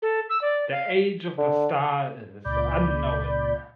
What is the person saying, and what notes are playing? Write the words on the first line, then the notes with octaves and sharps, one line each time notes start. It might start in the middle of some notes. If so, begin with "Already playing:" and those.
The age of the star is unknown.
A4
E6
D5
F5
D3
C#2 A#2 D5 B5 G6